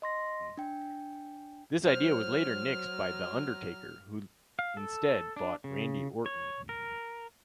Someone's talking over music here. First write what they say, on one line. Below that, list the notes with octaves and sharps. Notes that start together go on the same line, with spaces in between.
This idea was later nixed by The Undertaker, who instead fought Randy Orton.
D#5 C6 A#6
D4 G5
F#3 C5 F6
F5
A4
D4
C#3
C#5
A#4